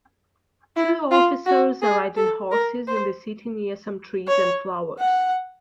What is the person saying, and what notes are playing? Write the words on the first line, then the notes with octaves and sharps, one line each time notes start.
Two officers are riding horses in the city near some trees and flowers.
E4
F4
F#4
G#4
A4
A#4
C5
C#5
F#5